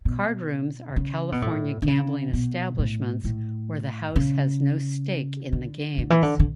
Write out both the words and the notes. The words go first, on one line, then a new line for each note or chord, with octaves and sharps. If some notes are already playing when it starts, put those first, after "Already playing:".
Cardrooms are California gambling establishments where the house has no stake in the games.
B2
C#3
B2
A2
D3
C#3
B2
A2
A2
C#3
D3
D3
E3
D3
D3